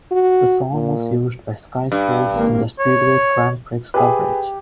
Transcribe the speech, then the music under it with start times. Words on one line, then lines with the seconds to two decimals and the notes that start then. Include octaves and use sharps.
The song was used by Sky Sports in their Speedway Grand Prix coverage.
0.12 F#4
0.74 A#2
1.92 G2
2.33 G#1 A#3
2.79 C#5
3.94 G4 G#4 B4